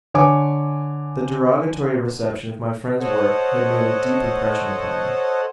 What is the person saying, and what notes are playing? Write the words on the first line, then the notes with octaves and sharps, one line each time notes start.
The derogatory reception of my friend's work had made a deep impression upon me.
D3 C#5 G#5 D6
A4 C5 C#5 D#5 F#5